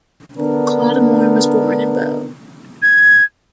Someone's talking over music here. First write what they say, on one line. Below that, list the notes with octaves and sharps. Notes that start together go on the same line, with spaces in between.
Clodumar was born in Boe.
D3 B3 D4 A#4
G#6